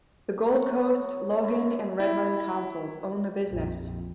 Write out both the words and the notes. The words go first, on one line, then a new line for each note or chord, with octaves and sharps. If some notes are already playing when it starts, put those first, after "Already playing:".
The Gold Coast, Logan and Redland councils own the business.
F#3
F#2
E4
A#1 F2